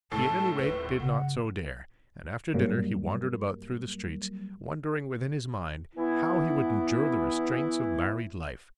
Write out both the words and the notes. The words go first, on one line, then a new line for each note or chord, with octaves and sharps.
He at any rate did not so dare;--and after dinner he wandered about through the streets, wondering within his mind how he would endure the restraints of married life.
A2 G#3 D#4 A5 A6 C7
D#1 B4
G2 C#3 F#5
G2 F#3 G3 A#3
E3 B3 E4